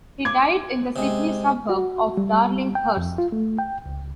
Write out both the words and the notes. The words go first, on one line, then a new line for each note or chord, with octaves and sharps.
He died in the Sydney suburb of Darlinghurst.
D6 G#6
C3 G#3
F#4
G3
G5
F2
F4
A3
G5
C#2